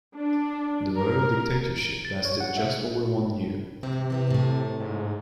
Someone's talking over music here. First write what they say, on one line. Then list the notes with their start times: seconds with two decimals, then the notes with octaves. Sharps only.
The royal dictatorship lasted just over one year.
0.16 D4
0.95 A#4
2.05 A6
2.25 C#5
2.40 F#5
2.57 E5
3.83 C3 C4
4.10 E3 B3 C4
4.31 A2 A3
4.80 G#2